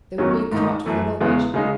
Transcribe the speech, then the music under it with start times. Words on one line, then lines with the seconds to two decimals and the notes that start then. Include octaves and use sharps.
There would be a cart for the luggage.
0.18 E2 D#3 F#3 C#4
0.52 G#2 D#3 A3 D#4
0.86 F#2 E3 A3
1.20 E2 C#3 E3 G#3 B3
1.54 C#3 G#3 D#4